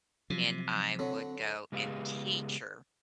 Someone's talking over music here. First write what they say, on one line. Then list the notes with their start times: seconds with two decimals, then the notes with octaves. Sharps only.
and I would go and teach her.
0.30 C3 F3 F#3
0.99 D3 F#3 C4 C#5
1.72 C#3 G#3 B3 G4 G#4 F5